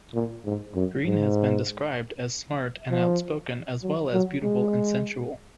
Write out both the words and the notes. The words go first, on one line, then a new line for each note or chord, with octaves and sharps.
Greene has been described as smart and outspoken as well as beautiful and sensual.
A#2
G#2
F#2
G#2
F3
F#3
F#3
G#3